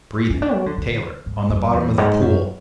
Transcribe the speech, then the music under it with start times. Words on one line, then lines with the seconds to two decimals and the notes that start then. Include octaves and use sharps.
Breathing, Taylor, on the bottom of the pool!
0.30 C#4
0.42 D4
0.54 F#3
0.66 D3
0.78 D3
1.26 G#2
1.50 F#2
1.64 F#2
1.73 E2
1.98 G#2
2.21 F#2